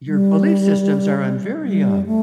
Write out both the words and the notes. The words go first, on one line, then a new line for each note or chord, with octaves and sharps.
your belief systems are on very, um
G3
G3
A3